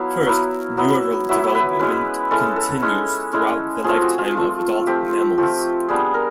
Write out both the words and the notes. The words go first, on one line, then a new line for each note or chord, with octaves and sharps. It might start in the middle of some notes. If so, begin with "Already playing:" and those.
First, neural development continues throughout the lifetime of adult mammals.
Already playing: F#3 B3 E4 F5
F#3 B3 E4
F#3 B3 E4
F#3 B3 E4 E5
B4
G#3 C#4 E4 B4
G#3 C#4 E4 A4
A4
G#3 C#4 E4
G#3 C#4 E4
F3 A3 C4 F4 G#4
F#4
F4
F3 A3 C4 F4
F3 A3 C4 F4 G4
F3 A3 C4 F4 G4
G3 B3 D4 G#4
A#4